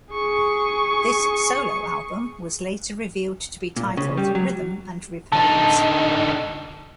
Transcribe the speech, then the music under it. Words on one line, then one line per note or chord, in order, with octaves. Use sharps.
This solo album was later revealed to be titled "Rhythm and Repose".
G#4 C#6
A#2
C#3
G3
F#3
D3 D#4 A5